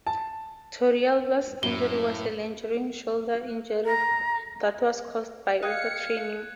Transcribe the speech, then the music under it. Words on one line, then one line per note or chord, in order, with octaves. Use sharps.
Torrealba's injury was a lingering shoulder injury that was caused by overtraining.
A5
F#2 A2 G7
A#5
D#5 F5 G5 F#6 G#6 C#7